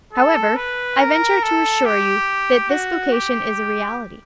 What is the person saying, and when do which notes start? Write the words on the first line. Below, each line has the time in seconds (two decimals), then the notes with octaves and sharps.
However, I venture to assure you that this vocation is a reality.
0.13 A4
0.56 B4
0.99 A#4
1.43 A4
1.85 G4
2.70 F#4
3.13 G4